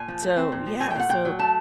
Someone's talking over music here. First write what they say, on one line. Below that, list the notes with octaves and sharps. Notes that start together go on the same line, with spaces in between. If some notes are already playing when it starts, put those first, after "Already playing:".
And so, yeah. So,
Already playing: A#2 G#5
F3
A3
C4
A#2
F3
A3 G#5
G5
A#2 F#5
A#2 G5
F#3
A3 A5